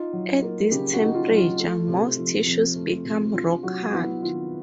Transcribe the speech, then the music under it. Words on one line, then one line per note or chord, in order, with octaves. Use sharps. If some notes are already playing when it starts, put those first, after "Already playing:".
At this temperature, most tissues become rock-hard.
Already playing: D#4 F4
F#3
A#3
C#3 G4
F#4
D#4
F4
F#3
F4
A3
C3
F3
F2
A3
C3
D4 F4
F#3 F#4
B3 E4
D#3 F4